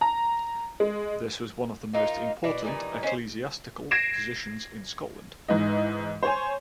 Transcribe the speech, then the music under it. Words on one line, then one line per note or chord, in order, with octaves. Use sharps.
This was one of the most important ecclesiastical positions in Scotland.
A#5
G#3
A#3 D#4 F4
B2 D5
A#2 E3 G3 D#4
C#4 D#4 B4 C5
G#6 A#6 C7 D7 E7
G#2 E3 D#5
C5 C#5 G#5